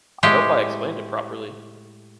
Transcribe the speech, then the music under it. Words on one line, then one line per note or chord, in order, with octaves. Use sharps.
I hope I explained it properly.
A2 G#3 G4